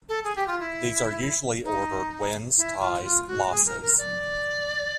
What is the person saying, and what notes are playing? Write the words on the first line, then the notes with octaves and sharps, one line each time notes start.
These are usually ordered Wins-Ties-Losses.
A4
G#4
G4
F4
E4
D#4
E4
F4
F4
F#4
G#4
A#4
A#4
D5